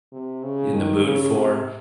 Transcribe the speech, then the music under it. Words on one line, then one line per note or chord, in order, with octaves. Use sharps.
in the mood for.
C3
C#3
D#3
C#3
C3